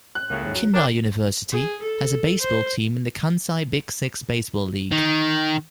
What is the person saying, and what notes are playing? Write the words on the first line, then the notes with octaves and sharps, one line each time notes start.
Kindai University has a baseball team in the Kansai Big Six Baseball League.
F#6
C#2 F#2 A2 C#3 A#3
D#2 G#2
F#3
D4 A#4 C#5 G5
G#4
A4
C5
D#3